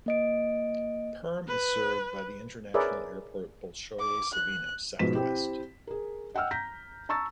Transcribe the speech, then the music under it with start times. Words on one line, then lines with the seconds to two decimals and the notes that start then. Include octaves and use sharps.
Perm is served by the international airport Bolshoye Savino, southwest.
0.06 A#3 D#5 D7
1.47 B4
2.74 G#4 A#4 B4 C#5 D5 E5
3.99 D6
4.33 F#6
4.99 G#2 B2 F3 B4 B6 E7
5.15 C4 E4 G4
5.87 G#4 A#4
6.34 D#5 F#5 G5 E6 F6
6.51 A#5 G6 A#6 B6
7.09 A5 A#5 C#6 E6 A6